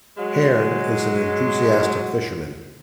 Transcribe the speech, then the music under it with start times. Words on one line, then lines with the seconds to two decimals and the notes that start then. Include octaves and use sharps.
Hearn is an enthusiastic fisherman.
0.17 F#3 G#3